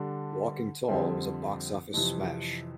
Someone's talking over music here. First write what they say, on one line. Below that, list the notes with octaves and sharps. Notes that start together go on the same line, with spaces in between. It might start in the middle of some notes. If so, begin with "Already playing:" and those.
"Walking Tall" was a box office smash.
Already playing: D3 G3 D4
F2 D3 G3 C4
F2 C3 E3